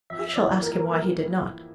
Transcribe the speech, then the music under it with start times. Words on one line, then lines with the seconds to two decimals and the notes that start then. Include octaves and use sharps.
I shall ask him why he did not.
0.10 F2 E5
0.36 E3 G3 A#3 E4 D5
0.62 F2 A#4
0.88 E3 G3 A#3 E4